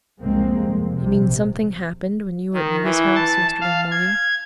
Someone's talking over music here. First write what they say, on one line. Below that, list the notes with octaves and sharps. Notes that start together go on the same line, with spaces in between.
"You mean something happened when you were at Nita's house yesterday morning?"
F1 C2 G#3 A#3 C4
F2
A#1 C3
D#3
E3
A5
F5
G#6